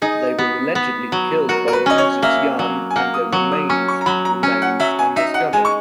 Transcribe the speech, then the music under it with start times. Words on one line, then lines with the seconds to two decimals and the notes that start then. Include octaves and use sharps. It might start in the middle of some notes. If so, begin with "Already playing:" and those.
They were allegedly killed by Wu Zetian and their remains remains undiscovered.
0.02 D#4 G#4
0.38 B3
0.75 B3
1.12 F#3
1.49 F#4 A#4
1.68 A#4
1.73 B4
1.86 C#4 D#5
1.98 C#5
2.22 A#3 E5
2.59 F#3
2.90 G#5
2.96 A#3 F#5
3.14 D#6
3.32 F#3 C#6
3.52 D#6
3.69 C#4 C#6
3.88 C#6
4.01 A#5
4.06 F#3 B5
4.25 A#5
4.43 C#4 G#5
4.62 F#5
4.80 F#3 E5
4.99 G#5
5.16 D#4 E5
5.34 F#5
5.53 G#3 G#5
5.65 C#6